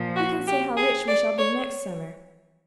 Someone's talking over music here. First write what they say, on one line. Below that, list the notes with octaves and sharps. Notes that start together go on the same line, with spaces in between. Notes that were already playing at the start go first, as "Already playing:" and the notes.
Who can say how rich we shall be next summer?
Already playing: A#2 F3
F#4
G4
G#4
D5
C#5